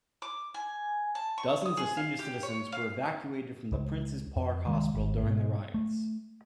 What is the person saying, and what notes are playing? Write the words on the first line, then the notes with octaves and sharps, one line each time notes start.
Dozens of senior citizens were evacuated from the Princes Park Hospital during the riots.
D6
G#5
A5
C#6
D#6
G#4
F5
G4
C#5
F5
C#2
F2
C2 D#3 G3 G#3
G#1
G#2 B2
A3